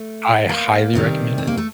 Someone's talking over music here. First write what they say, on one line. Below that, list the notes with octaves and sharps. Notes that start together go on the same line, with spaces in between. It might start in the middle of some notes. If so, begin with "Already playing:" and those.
I highly recommend it
Already playing: A3
A#3
D2 C3 D#3 G3
C4
A#3
A3